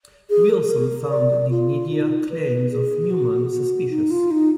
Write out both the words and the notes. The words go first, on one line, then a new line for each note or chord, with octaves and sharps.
Wilson found the inedia claims of Neumann suspicious.
G#4
A#4
G#4
A#4
D5
F4
D#4
B4
G#4
F#4
F#4
D#4
F4
D#4